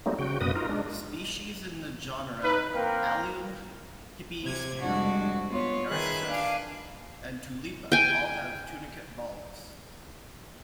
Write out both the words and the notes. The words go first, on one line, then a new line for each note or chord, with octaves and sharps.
Species in the genera "Allium", "Hippeastrum", "Narcissus", and "Tulipa" all have tunicate bulbs.
F#3 G3 A3 A#3 C4 D#4
C#3 F#4 G5
F#2 B2 A#3 B4 D#5 D#6
D#4 F4 A#4
G#3 D4
D#4 B4
A#3 C4 A#4 F5 G5
C3 G#6
F2 G3 G#3 D4 F#4
B3 F4 C#5
D#3 G#4 B4 E5 F#6 G#6
D4 F5 G#5
G5 G#5